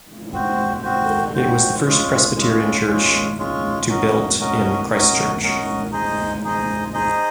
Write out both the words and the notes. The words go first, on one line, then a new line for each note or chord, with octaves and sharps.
It was the first Presbyterian church to built in Christchurch.
C4 F#4 C5
C4 F#4 C5
C4 F#4 C5
G#3 C#4 F4
G#3 C#4 F4
G#3 C#4 F4
G#3 C#4 F4
C#4 F#4 A#4 D#5
C#4 F#4 A#4 D#5
C#4 F#4 A#4 D#5
C#4 F#4 A#4 D#5
D#4 G#4 C5 D#5
D#4 G#4 C5 D#5
D#4 G#4 C5 D#5